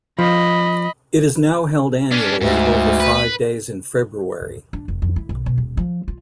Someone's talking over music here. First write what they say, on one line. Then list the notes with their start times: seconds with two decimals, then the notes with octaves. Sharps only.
It is now held annually over five days in February.
0.19 F3 D#5 B5
2.11 C#4 D4
2.41 D2 G#2
3.00 B4
4.73 D4
4.88 F1
5.02 F2
5.16 E4
5.29 B1
5.46 B2
5.58 D#1
5.77 F3
6.08 F4